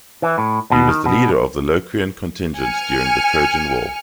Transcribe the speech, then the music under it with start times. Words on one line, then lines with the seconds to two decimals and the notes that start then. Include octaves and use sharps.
He was the leader of the Locrian contingent during the Trojan War.
0.22 E3
0.38 A2
0.71 B2
0.89 D#3
1.06 B2
2.56 G#5 F6 C#7